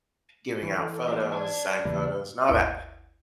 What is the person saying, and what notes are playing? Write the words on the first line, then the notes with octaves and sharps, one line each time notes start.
giving out photos, signed photos and all that,
E3 C#5
E3 A4
A#3 G4 C5 D5
D5 A5 G#6
E2 C#3 E3 G3 A#3 E5
G#1 D#2 E4 F5 C#7 D7